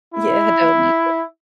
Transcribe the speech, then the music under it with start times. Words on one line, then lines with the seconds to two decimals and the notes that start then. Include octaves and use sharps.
Yeah, I don't need it.
0.14 E4